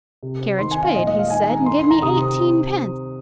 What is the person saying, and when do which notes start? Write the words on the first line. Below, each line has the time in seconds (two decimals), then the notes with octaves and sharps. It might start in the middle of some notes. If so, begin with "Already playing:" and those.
'Carriage Paid,' he said; and gave me eighteen-pence.
0.23 C3
0.41 C4
0.59 D#3 C6
0.71 G#5
0.76 D#3
0.83 F5
0.95 A#2 D#5
1.07 D#5
1.12 G#3
1.19 F5
1.30 D#3 G#5
1.49 D#3 A#5
1.66 D#3 C6
1.79 C6
1.85 D#3
1.91 A#5
2.02 C3 D#6
2.21 C4